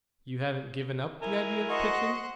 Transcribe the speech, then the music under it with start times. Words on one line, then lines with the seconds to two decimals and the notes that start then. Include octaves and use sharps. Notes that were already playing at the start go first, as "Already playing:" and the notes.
"You haven't given up the idea of pitching?"
1.22 E4 A#4 G#5
1.69 F#4 C5 D#5 F#5